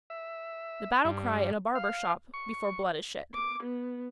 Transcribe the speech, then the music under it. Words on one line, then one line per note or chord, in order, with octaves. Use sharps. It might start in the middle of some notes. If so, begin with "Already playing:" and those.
The battle cry in a barber shop before blood is shed.
E5
G2
F5
C#6
D6
B3